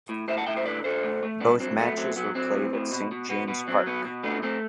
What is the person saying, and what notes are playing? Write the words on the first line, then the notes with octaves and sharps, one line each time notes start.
Both matches were played at Saint James Park.
A2
A2 C5 E5
F#5 A5
A2 E5 G5
C5 E5
D3 B4 D5
D3 A4 C5
A3
A3
G2 B3 D4
F#3 C4
A3 B3
F#3 C4
F#3 B3
F#3 C4
A2
A2
B2
B2
B2 B3
B2 B3
F#3 C4
B2 B3
B2
A3 B3 D4
A3 C4